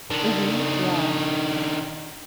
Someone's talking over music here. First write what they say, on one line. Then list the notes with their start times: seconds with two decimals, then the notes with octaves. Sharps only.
Mhm. Yeah.
0.10 D#3 D4